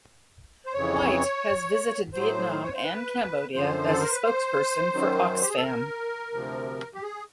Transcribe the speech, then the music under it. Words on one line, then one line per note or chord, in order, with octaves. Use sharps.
Whyte has visited Vietnam and Cambodia as a spokesperson for Oxfam.
C5
F2 C#3 E3 C#5
A2 F#3 C5
C#5
C5
B4
F#2 D3 F3 C5
A4
A#4
B4
C5
F#2 D#3 F#3
G4
G#4
A4
A#4
D2 C3 F3
G4
G#4